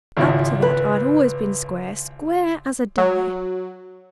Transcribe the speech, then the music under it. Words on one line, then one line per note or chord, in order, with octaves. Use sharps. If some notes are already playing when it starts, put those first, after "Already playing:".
Up to that I had always been square,--square as a die!
G#1 C#2 E4
B4
F#3